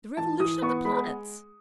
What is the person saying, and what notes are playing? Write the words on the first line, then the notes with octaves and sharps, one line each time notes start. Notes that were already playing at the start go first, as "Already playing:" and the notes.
The revolution of the planets.'
E3 A5
E3 D#6
B3 C#6
G#3 B5